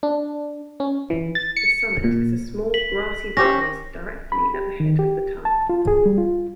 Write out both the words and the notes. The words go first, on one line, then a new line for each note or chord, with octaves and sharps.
The summit is a small grassy rise directly at the head of The Tongue.
D4
C#4
E3
A6
C#7
A#2
B6 F#7
C#4 G4 C5 A#6
B5
G4
D#3
G4
A5
F4
G#4
G3
F4